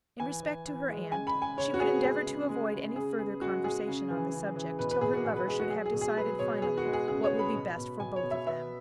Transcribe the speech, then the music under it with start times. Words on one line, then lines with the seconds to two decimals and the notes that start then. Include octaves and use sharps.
In respect to her aunt, she would endeavour to avoid any further conversation on the subject till her lover should have decided finally what would be best for both of them.
0.20 E3 G#5
0.43 E3
0.66 E3
0.89 G#3
1.12 C#3 G#5
1.27 B5
1.34 C#3
1.42 G#5
1.57 C#3 C#5
1.74 F#4
1.80 B3 G#4
2.03 G#3 G#4
2.26 C#3
2.50 G#3
2.73 C#3
2.95 C#3 G#4
3.18 B3 G#4
3.41 G#3 F#4
3.64 G#3 G#4
3.88 C#3
4.10 E3
4.33 C#3
4.56 E3
4.79 B2 B4
4.91 B4
5.01 B2 G#4
5.13 F#4
5.25 B2 G#4
5.36 B4
5.48 G#3 G#4
5.59 F#4
5.70 F#3 G#4
5.86 G#4
5.93 B2
6.01 G#4
6.17 F#3 B4
6.39 B2 C#5
6.62 B3 G#4
6.78 F#4
6.85 G#3
6.93 G#4
7.08 C#3 G#4
7.24 C#5
7.32 B3
7.39 B5
7.55 B2
7.78 B2
8.00 B2 G#5
8.16 C#5
8.23 B2
8.31 E5
8.46 B3 E5